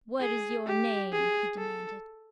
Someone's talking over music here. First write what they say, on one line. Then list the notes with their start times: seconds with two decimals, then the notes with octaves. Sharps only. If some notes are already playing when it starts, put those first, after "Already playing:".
"What is your name?" he demanded.
0.20 G#4
0.66 G4
1.12 G#4
1.57 A4